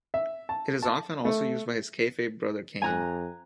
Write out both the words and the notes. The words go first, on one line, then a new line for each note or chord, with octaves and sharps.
It is often also used by his kayfabe brother Kane.
E5
A5
A5
A3
F2 G#5 A#5 F#6